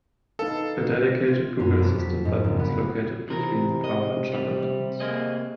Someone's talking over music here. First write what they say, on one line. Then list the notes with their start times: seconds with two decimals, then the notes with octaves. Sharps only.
A dedicated Google Assistant button is located between the power and shutter buttons.
0.39 D#4 A4 B4 F5
1.27 F4
1.60 F#2
1.79 F2
1.99 B6
2.25 G#2
2.44 F#1
2.59 B3
3.29 C3 E3 A#4
3.84 D#5
4.32 G3
5.00 A#3 G#4 D#5